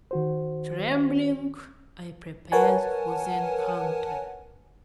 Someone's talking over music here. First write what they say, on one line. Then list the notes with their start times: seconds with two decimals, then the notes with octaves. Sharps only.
Trembling, I prepared for the encounter.
0.11 D#3 F#4 C5
2.52 A#4 B4 C#5 F#5 G#5 A5